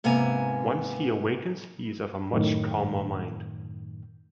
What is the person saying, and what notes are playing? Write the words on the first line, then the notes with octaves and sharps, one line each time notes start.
Once he awakens, he is of a much calmer mind.
G#2 C3 A#3 B3 G#5 A#5
F#2 A2 D#3